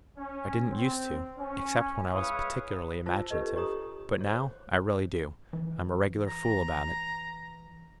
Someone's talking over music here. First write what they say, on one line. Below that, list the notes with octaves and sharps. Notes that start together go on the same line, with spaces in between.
"I didn't use to--except when I was particularly imaginative, but now, I really do--I'm a regular fool about it."
C#4
C4
C#4
G#3 E4 B4 C#5 F5 D#6
F4 C5 A5 E6
D4 G4 A4 B4 D#5
G4 C#5 A#5 D#6
C5 C#5
E3
A#5